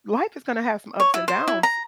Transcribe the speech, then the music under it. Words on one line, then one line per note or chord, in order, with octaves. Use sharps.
w life is gonna have some ups and downs."
C#5
E4
C5
E4
A#5